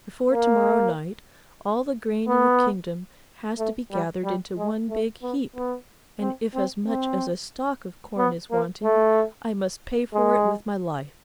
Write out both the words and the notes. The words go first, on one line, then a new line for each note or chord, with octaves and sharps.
Before to-morrow night all the grain in the kingdom has to be gathered into one big heap, and if as much as a stalk of corn is wanting I must pay for it with my life.'
A#3
B3
A3
G3
G3
G#3
A3
B3
B3
C4
C4
C4
B3
A#3
A3
G#3